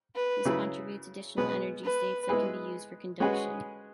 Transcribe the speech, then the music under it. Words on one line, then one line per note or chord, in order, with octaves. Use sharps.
This contributes additional energy states that can be used for conduction.
B4
C#3 F#3 E4 G#4
B2 G#3 B3 B4
B4
G#3 B3 E4 G#4 B4
G#3 C#4 F#4 G#4 B4